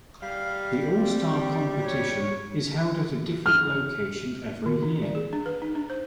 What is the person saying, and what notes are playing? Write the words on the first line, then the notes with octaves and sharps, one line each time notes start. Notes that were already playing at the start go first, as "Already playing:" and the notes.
The All-Star Competition is held at a different location every year.
G3 F5
C4
C#5
F6
D#3
D#4
D5
G#4
D4
B4
D#4
D4
C5